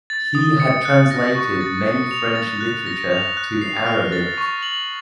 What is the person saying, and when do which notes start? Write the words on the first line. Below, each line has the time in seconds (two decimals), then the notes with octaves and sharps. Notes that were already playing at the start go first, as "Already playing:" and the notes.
He had translated many French literature to Arabic.
0.10 A6
0.35 D#6
0.60 C#7
0.85 F#6
1.11 A#6
1.35 C#6
1.61 A6
1.86 C#7
2.11 F7
2.35 A6
2.61 F#6
2.86 A#6
3.11 F7
3.37 F#6
3.61 C7
3.86 F6
4.12 A6
4.38 C#6
4.63 F#7